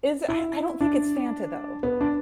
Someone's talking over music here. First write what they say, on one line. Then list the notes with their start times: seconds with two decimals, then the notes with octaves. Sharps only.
Is I I don't think it's Fanta though.
0.28 E4
0.81 D4
1.83 B3
2.01 D4